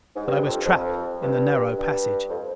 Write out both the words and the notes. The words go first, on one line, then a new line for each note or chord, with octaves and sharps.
But I was trapped in the narrow passage.
G#2
G2
F2
F2
G2
G2
F2